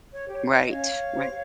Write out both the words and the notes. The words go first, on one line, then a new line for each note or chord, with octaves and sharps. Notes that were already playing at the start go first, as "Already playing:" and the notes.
Right, right.
C#5
G4 C#5
C#5
D#5
C#4 C#5 F5
G4 C5